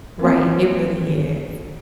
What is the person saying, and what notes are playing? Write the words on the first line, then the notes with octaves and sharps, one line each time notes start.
Right, it really is,
A#3 C4 A#4